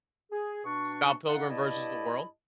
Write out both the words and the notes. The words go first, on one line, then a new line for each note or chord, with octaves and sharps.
Scott Pilgrim vs. the World.
G#4
B2 D4 C#6
D#4 A4 F5 F#5
G2 E4 D5 D#5 A5 B5